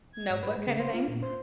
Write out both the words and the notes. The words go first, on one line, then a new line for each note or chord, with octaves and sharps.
notebook kinda thing?
G#6
G#2
B4
G#3
C#3
C5
F4
A#2
C5